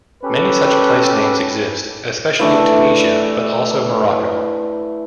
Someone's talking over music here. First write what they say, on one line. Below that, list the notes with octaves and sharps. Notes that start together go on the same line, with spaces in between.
Many such place names exist, especially in Tunisia, but also Morocco.
C#4 G4 A4 B4
E3 A3 D4